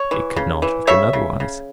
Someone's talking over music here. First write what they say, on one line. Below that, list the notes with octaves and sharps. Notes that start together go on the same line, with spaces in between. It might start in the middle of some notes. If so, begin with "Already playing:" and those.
It could not have been otherwise.
Already playing: C#5
E3
C#3
E3
C#3 C#5 E5
C#3
C#3